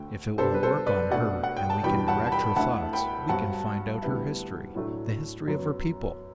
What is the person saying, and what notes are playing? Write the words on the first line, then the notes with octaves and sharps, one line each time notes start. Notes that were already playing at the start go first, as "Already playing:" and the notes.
If it will work on her, and we can direct her thoughts, we can find out her history, the history of her people!
Already playing: D2 D3 A3 G5
C3 G3 B3 D4 A4 C5
B4
A4 C5
B4 D5
B2 A3 D4 D5 F#5
F#5
G5
A5
E2 B2 G3 D4 G5 B5
F#5 A5
A5
G5 B5
D2 D3 A3 E4 F#5 A5
G5 B5
G2 F#3 C4 F#5 A5
D2 D3 G3 B3 E4
A2 F#3 A3 D4
F#2 F#3 B3